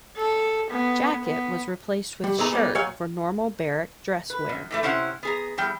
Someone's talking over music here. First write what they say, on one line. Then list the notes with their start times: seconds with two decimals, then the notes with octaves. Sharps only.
Jacket was replaced with shirt for normal barrack dress wear.
0.17 A4
0.70 B3
1.24 B3
2.24 G3
2.38 A#2 A3 B3 G#4 A#5
2.52 G3 A#3 B3
2.75 A#2 F#3 C#5 F5 G5
4.30 B4
4.49 F#2
4.71 A2 E3 A3
4.83 C3 C#4 E4 C5 F#5
5.23 B3 G#4 A#5
5.58 E2 G3 G5